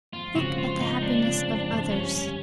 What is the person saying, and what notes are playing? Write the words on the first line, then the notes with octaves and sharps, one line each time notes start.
"Look at the happiness of others."
F2 F4
C#3 F3 G#3 C4 F#4
F2 F4
C#3 F3 G#3 C4 D#4
F2 D4
C#3 F3 G#3 C4
F2
C#3 F3 G#3 C4
G2 C#4
D3 G3